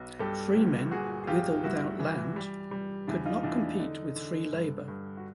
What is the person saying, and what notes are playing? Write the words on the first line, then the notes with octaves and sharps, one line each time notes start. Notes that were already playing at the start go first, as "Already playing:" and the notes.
Freemen with or without land could not compete with free labor.
Already playing: B1 B3
G2 G4 A4
G1
A#2 F#4 G#4
G#4
C2 F4 G4
G2 E4 F#4
E3
G3
G3
E2 D4 E4
D#4 F4
E2 D4 E4
D4
D3 D#4
D3
G2
G2
F#4